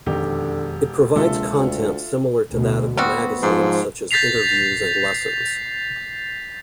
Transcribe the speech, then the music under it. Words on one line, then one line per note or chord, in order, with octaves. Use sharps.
It provides content similar to that of the magazine such as interviews and lessons.
E1 F2 D3 D#3 G4
D1 A#1 C3 G#3 F4 A4 E5
D2
D2 B2
G3 B3 C4 F#4
G#2 F3
G6 A6 B6 C7 F7